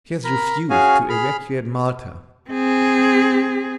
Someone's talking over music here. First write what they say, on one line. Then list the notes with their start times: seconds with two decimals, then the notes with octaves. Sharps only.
She has refused to evacuate Malta.
0.24 A#4 A#5 B5
0.70 C#4 F#4 G#4 F5 G#5
1.09 G#4 B5 F6
2.50 C4 G#4